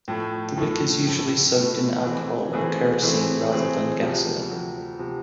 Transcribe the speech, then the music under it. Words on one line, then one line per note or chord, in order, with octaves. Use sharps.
The wick is usually soaked in alcohol or kerosene, rather than gasoline.
A2 F3 A3
A2 F3 A3
A2 F3 A3
A2 F3 A3
E3 A3 C4 G#4
E3 A3 C4 G#4
E3 A3 C4 G#4
E3 A3 C4 G#4
D2 C3 F3
D2 C3 F3
C3 F3